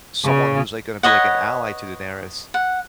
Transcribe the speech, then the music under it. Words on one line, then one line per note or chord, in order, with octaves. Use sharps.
someone who's, like, gonna be, like, an ally to Daenerys,
C#3
B4 C#5 D#5 F#5
F#5